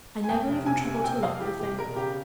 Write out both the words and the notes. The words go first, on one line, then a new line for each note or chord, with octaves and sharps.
I never even trouble to lock the thing.
G#5
F2 G5
F1
C3 G#5
F1
G#5
C3 G5
F2 F5
E3 G4
F1 G4
E1 A#4
C#3 G4